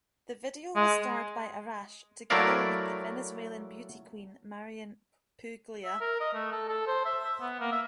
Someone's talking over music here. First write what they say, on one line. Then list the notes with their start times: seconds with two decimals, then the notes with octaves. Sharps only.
The video was starred by Arash, together with the Venezuelan beauty queen, Marianne Puglia.
0.76 G#3
2.30 F#3 A3 E4 A#4 D5 F5
5.85 E5
6.01 A#4
6.20 D#5
6.34 A3
6.52 A4
6.69 A4
6.87 C5
7.05 E5
7.24 E5
7.41 B3
7.60 A#3
7.72 E5